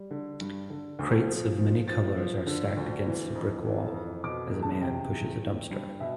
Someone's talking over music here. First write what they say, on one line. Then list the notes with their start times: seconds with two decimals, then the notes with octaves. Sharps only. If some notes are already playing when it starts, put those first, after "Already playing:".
Crates of many colors are stacked against a brick wall, as a man pushes a dumpster.
Already playing: G3
0.11 D3
0.41 G2
0.70 D3
0.99 D2
1.29 F3
1.58 F3
1.88 F3 A6
2.17 F3
2.47 D3
2.77 D2
3.06 E3
3.35 F2
3.64 E3
3.94 F2
4.24 B2 D6
4.52 E2
4.62 A5
4.82 C3 G5
5.12 E2
5.41 E3
5.71 G2
6.00 B2 E5